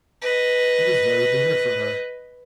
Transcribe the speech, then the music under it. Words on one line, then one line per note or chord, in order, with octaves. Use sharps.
It was very bitter for her.
B4 D#5